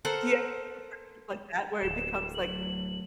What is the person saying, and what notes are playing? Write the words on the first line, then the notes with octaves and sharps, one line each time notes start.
Do you have some friendship like that, where it becomes, like,
A4 A#4 C5 F#5
D1 E7
F#3 A3 F#7